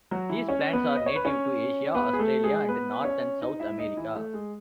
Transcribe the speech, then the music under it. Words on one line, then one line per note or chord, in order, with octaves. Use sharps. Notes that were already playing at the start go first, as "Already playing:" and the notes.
These plants are native to Asia, Australasia and North and South America.
F#3 F#4
E3 E4
C#4 C#5
B3 B4
D#5
C#5
B4
C#4 C#5
B3 B4
G#4
A3 A4
G#3 G#4
B3 B4
C#4 C#5
D#4 D#5
E4 E5
D#4 D#5
E3 E4
A3
G#3